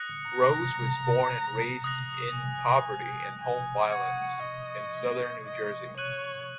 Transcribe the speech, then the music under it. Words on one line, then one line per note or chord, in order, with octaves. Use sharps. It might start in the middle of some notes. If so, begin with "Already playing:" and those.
Rose was born and raised in poverty and home violence in Southern New Jersey.
Already playing: D#6 F#6 A#6 C#7
A#5
D#6 F#6 A#6
G#5
G#5
F#5 C#6 G#6 C#7
D#5
D#5
C#5 F#6 D#7 F#7